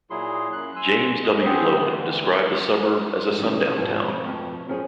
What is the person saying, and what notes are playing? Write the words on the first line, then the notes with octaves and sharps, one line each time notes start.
James W. Loewen described the suburb as a sundown town.
A#2 F#3 E4 G#4 C6
F#2 F#6
G#5 C6 E6
D#5
B3 C4 G4 G#4 C5
D2 D3 E3
A#2 C#3 E3 G3 D#4
F2 G#2 B2 F3
F2 B2 A3
F#2 F3 C#4 G#4